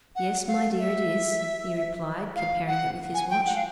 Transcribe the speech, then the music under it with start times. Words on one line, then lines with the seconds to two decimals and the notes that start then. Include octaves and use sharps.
"Yes, my dear, it is," he replied, comparing it with his watch.
0.16 F#5
0.47 F5
0.79 E5
2.36 F5
2.67 F#5
3.14 G#5
3.30 G5
3.46 F#5
3.56 F5